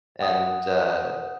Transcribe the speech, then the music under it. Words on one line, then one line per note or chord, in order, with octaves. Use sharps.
And, uh
F#5 G5 D#6